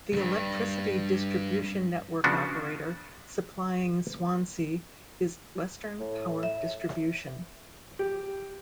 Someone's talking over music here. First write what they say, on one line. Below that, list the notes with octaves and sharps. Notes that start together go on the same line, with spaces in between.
The electricity distribution network operator supplying Swansea is Western Power Distribution.
E2 G2
C#3 F3 B3 D4 F#4
A2
E5
G4